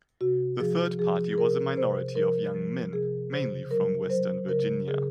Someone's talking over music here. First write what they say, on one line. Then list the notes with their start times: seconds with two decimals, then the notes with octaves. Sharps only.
The third party was a minority of young men mainly from western Virginia.
0.21 C3 F#4
0.59 F3 G#4
0.99 F3 G#4
1.33 G#4
1.38 C3 A#4
1.77 C3 C5
2.15 F3 A#4
2.54 F3
2.93 C3 G#4
3.32 C#3 C5
3.71 F#3 A#4
4.09 F#3 C5
4.48 C#3 A#4
4.88 C#3 G#4